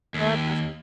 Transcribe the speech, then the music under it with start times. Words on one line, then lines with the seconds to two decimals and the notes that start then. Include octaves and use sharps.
Oh, that's awesome.
0.14 D#2